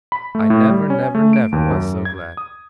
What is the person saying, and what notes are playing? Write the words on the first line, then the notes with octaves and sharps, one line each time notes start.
'I never, never, never was so glad!
B5
A3
A2
G3
C#4
G#5
A3
D7
D#2
F#2
G#6
D#6